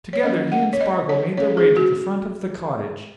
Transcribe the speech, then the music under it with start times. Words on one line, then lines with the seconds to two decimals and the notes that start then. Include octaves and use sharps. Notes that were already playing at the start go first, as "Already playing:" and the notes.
Together, he and Spargo made their way to the front of the cottage.
0.13 C#5
0.23 F#3 A#3 C#4 D#5
0.52 F#5
0.73 C#5
0.81 D#5
1.09 C#5
1.37 G#3 C#4 C#5
1.57 G#4
1.77 F#4